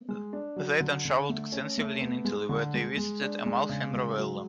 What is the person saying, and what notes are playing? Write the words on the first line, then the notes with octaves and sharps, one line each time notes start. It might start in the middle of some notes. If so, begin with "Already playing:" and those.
They then traveled extensively in Italy where they visited Amalfi and Ravello.
G#3
D4
F#3
D3
D3
A3
C#4
A3
B3
G#3
D3
G#3
G#3
D4
G#3
C#3
G#3
F#3